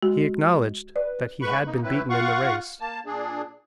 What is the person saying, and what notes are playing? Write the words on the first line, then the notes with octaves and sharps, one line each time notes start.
He acknowledged that he had been beaten in the race.
G#3 F#4
B4 D5
G#2 B4 B5 C#6
A#3 D#4
F#3 C4 E4 B4
F4 F5 F#5 C#6
A#3 A5
A#2 D4 G#4